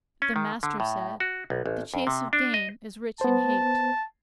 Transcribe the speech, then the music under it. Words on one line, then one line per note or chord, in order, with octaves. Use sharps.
The Master said, The chase of gain is rich in hate.
C#4
D#3
D3
A2
F#4
B1
A1
F2
C3
D4
D#5
B3 C5 A5